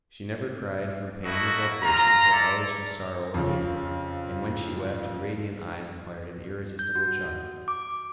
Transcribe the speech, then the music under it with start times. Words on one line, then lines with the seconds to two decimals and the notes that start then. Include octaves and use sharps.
She never cried from pain or vexation, but always from sorrow or pity, and when she wept her radiant eyes acquired an irresistible charm.
1.25 A3 A#3 E4 F#4 D#5
1.83 F4 A#5
2.31 E4 A4 D5
3.34 F2 C#3
6.79 G6
6.95 F#4
7.68 D6